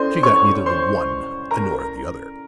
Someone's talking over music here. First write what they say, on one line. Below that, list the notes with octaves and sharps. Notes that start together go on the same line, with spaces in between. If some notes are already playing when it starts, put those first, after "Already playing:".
She got neither the one nor the other.
Already playing: C#4 E4 A4 C5 D5 C6
C#5 C#6
C5 C6
A#4 A#5